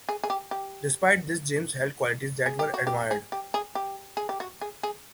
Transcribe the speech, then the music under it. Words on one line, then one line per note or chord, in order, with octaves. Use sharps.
Despite this, James held qualities that were admired.
G#4
G#4
G4
G4
G#4
G4
F#4
G4
G#4
G4
G#4
G4
G#4
G4
F#4
G#4
G#4